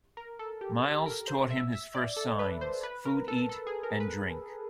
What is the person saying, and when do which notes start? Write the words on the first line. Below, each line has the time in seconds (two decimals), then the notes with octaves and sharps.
Miles taught him his first signs, "food-eat" and "drink".
0.17 A#4
0.39 A4
0.61 G4
0.84 A4
1.06 A#4
1.28 C5
1.50 E5
1.72 E5
1.95 D5
2.17 A4
2.39 B4
2.61 C5
2.83 B4
3.05 A#4
3.28 A4
3.49 A4
3.67 G#4
3.83 A#4
4.00 B4